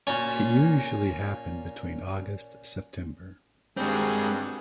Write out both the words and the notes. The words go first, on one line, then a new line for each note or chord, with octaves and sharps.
It usually happen between August–September.
A#2 C#4 A5
G2 G#3 C4 F#4 G#4